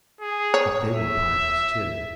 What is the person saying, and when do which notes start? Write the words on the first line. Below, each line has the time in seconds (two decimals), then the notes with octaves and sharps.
But they were Pyrrans, too.
0.21 G#4
0.54 C#5
0.94 E5